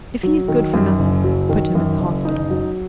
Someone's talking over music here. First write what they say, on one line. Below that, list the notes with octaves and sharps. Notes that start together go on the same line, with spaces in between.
If he is good for nothing, put him in the hospital.
F#3
D#3
F#2
F#1
F#3
D#3
F#2
F#1
D#4
F#3